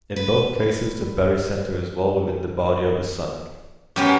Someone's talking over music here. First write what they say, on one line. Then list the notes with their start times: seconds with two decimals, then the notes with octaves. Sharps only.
In both cases the barycenter is well within the body of the Sun.
0.16 B4
3.96 F#2 B3 C#4 G4